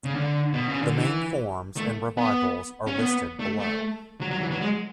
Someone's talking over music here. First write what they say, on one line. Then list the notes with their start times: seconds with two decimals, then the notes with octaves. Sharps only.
The main forms and revivals are listed below.
0.04 C#3
0.15 D3
0.54 B2
0.69 C#3
0.82 D3
0.96 E3
1.77 A3
2.17 B3
2.87 C#4
2.99 B3
3.39 A3
3.60 A3
4.21 F#3
4.31 F#3
4.41 E3
4.51 F#3
4.61 G#3